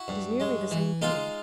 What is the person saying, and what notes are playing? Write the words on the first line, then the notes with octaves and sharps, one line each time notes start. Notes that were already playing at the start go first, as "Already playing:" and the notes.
It is nearly the same thing.
Already playing: E4 F#4
G2
G#3
E3
G#3 D#4 F4